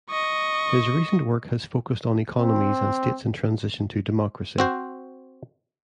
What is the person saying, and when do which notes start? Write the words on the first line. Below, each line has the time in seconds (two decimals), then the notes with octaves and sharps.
His recent work has focused on economies and states in transition to democracy.
0.10 D#5 C#6
2.37 C4
4.58 C4 F#4 C5